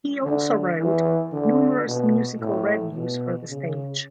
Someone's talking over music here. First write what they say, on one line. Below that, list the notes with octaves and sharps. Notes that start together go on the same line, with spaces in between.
He also wrote numerous musical revues for the stage.
D3
E3
D3
B2
A2
B2
C#3